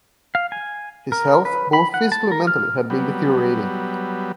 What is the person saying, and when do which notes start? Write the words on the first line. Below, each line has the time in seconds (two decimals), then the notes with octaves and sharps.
His health, both physically and mentally, had been deteriorating.
0.35 F5
0.52 G#5
1.12 A#4
1.45 B4
1.73 B5
1.94 F#5
2.12 A5
2.32 A#4
2.47 F6
2.90 F#3 G3 B3